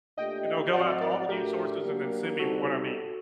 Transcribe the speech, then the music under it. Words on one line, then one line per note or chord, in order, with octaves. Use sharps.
And it'll go out to all the news sources and then send me what I need.
A#2 A3 D4 G4 D#5 G5
A2 F#3 C4 F#4 D5 F#5
A#4 D5
A2 A3 D4 F#4 G4 A#4
F#3 A#3 D4 G4 A#4
C3 G3 C4 D#4 F#4 A4